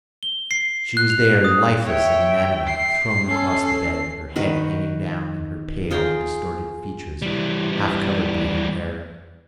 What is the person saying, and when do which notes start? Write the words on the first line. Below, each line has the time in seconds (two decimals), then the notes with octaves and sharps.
She was there, lifeless and inanimate, thrown across the bed, her head hanging down and her pale and distorted features half covered by her hair.
0.23 G7
0.51 C7
0.97 F#6
1.10 F7
1.44 D#6
1.85 C#5 E5 G5
2.67 C7
3.27 C#4 A4
4.36 D#3 F#4 B4
5.91 F4 G#4 G5 A#5
7.22 E3 G3